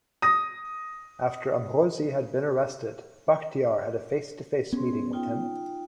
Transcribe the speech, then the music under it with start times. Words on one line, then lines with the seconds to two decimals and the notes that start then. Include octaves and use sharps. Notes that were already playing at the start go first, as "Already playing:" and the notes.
After Amrozi had been arrested Bachtiar had a face-to-face meeting with him.
0.22 D#6 A#6
4.72 B3 C#4 G#4 C6
5.13 D#4 F4 G5